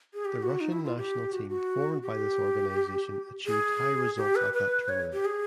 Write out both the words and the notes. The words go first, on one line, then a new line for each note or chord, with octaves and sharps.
The Russian national team formed by this organization achieved high results at that tournament.
G#4
G4
F#4
D#4
E4
F4
G4
F#4
F#4
G4
G#4
G4
B4
B4
C#5
G4
G#4